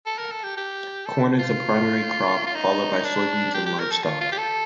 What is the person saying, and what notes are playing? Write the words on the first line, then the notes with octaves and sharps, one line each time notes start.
Corn is the primary crop, followed by soybeans and livestock.
A4
A#4
A4
G4
G4
A4
F4
F4
D#4
D4
G4
G4
A#4
A4
F4
F4
G4
A4